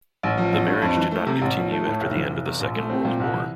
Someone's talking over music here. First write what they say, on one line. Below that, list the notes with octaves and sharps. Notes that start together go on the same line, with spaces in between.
The marriage did not continue after the end of the Second World War.
A1
F3
A1
G2
F2
E3
A3
C3
A1
F3
A3
A2
F1
E3
F1
E2
A#1
A3
C4
A#2
C2
E3